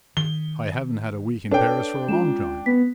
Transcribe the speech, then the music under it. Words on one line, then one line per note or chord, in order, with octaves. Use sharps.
"I haven't had a week in Paris for a long time."
D#3 G7
D4 A4 B4 C#5 G5
G#3 A#3 C#4 F4 E7
B3 B6